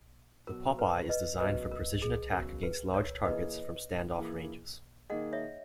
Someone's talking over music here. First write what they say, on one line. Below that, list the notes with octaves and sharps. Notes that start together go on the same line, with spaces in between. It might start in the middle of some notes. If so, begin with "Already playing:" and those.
The Popeye is designed for precision attack against large targets from stand off ranges.
B2 F#3 B3 F#4 A#4
B4
B4 D#5
C#3 F#3 B3 F#4 B4 D#5
A#4
G#4
C#3 F#3 B3 F#4 A#4
B4
A#4 C#5
E3 A#3 E4 G#4 B4 D#5
E3 A#3 E4 G#4
D#3 A#3 D#4 G#4 D#5 F#5
C#5 E5